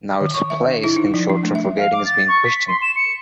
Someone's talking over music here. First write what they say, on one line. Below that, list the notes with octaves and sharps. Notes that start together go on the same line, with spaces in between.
Now, its place in short term forgetting is being questioned.
D#3
C#6
E5
D4
E4
D#4
F3
D4
A3
E5
F5
D6
A6
C#6
B6
C6
E7
C#7